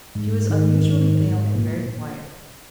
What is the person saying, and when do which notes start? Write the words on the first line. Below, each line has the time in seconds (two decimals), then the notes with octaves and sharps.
She was unusually pale and very quiet.
0.15 G#2
0.50 D#3
0.85 G#2
1.20 G#2
1.55 A#2